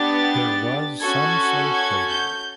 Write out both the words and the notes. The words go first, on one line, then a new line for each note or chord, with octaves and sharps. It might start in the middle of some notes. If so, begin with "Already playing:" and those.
There was some slave trading.
Already playing: B3 D4 G4 A6
C#4 F#4 A4 G#6
G#6
G6